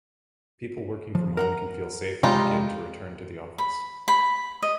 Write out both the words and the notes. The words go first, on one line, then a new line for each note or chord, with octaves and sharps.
People working from home can feel safe to begin to return to the office.
F3
A#4 F#5 A#5
C3 G3 G#3 D#4 F4
B5
B5
D#5